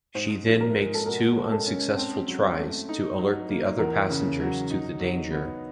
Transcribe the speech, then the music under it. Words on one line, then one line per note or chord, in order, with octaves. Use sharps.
She then makes two unsuccessful tries to alert the other passengers to the danger.
G#2 C5
F3
A#4
G#3
A4
B2 A#4
G#3
A4
C#4
C4
F#3
A3
D#4
F#3
A#3
E2 A#4
C#3
F#3
D#4
F#3
B3